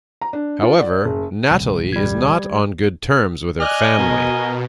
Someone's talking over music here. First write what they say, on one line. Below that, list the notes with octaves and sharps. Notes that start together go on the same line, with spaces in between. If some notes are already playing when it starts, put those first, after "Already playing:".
However, Natalie is not on good terms with her family.
A#5
D4
F4
D5
F#1
D#1 C2
G3 G#6
D5 D#5 G#5 F6 F#6
B2 A#4